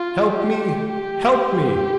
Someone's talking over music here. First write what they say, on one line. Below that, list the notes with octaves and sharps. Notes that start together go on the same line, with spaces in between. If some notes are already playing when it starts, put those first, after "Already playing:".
Help me! help me!'
Already playing: F4
G4
G4